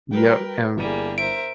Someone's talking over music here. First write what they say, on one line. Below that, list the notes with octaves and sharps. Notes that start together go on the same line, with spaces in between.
Yeah, and
G3 F#4 A#4 B4 G5
G1 G3 A#3 E4 G#4 D#7
A#4 C5 E5 D7